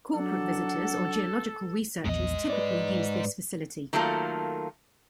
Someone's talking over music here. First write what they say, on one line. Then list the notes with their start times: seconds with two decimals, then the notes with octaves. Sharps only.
Corporate visitors or geological researchers typically use this facility.
0.14 F#3 D4 A4 F#5
2.05 A#1 E2 G#2 D#5
2.50 B4 D5
3.93 D#3 F#3 A3 A#3 F4 A4